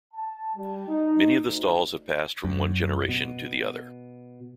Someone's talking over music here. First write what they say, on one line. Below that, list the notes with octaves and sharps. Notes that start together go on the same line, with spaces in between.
Many of the stalls have passed from one generation to the other.
A5
G3
D#4
D2
F#2
B2